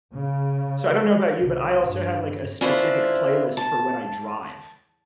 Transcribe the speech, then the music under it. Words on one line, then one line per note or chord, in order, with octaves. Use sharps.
So, I don't know about you, but I also have, like, a specific playlist for when I drive.
C#3
C2
G2
C#4 D4 E4 F4 B4 C5
A5